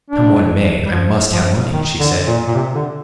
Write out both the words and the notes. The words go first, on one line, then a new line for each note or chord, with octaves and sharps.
"Come what may, I MUST have money," she said.
D4
G3
F3
F3
D#3
D3
A#2
A#2
C3
D3